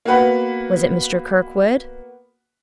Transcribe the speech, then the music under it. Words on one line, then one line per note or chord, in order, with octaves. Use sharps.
Was it Mr. Kirkwood?'
A#3 B3 F#4 B4 F#5